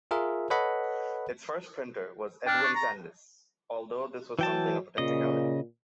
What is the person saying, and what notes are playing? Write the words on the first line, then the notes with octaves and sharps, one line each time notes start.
Its first printer was Edwin Sandys, although this was something of a technicality.
F4 G#4 A#4 E5
A4 B4 C#5 D#5 F#5 B5
D4 G5 F6
C#6 A6
A#5
E3 F#3 G5 A5
A#2 C#3 D#5